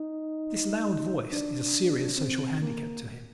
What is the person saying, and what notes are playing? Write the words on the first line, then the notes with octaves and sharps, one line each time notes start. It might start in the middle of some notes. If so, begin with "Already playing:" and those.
This loud voice is a serious social handicap to him.
Already playing: D#4
D4
C4
A#3